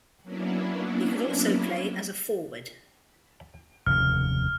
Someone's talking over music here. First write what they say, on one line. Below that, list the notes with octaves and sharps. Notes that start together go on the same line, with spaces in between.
He could also play as a forward.
F#3 A#3 B3 C#4 D4 E4
F1 D#2 C#3 F6